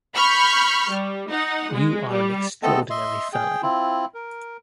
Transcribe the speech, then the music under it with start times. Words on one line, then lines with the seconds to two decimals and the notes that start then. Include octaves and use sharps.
You are an extraordinary fellow.
0.15 B5 C#6 F6 G6
0.90 G3
1.30 D#4 F#5
1.73 G#3
2.10 G3
2.63 A3 B3 C4 A4 D#5 A5
2.90 D#5 E5 C6
3.33 G#4 G5
3.63 C4 E4 F4
4.14 A#4